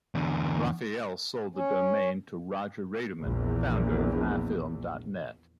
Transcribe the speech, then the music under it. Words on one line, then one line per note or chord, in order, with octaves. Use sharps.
Raphael sold the domain to Rodger Raderman, founder of iFilm dot net.
E2 D3
C#4
A#1 E2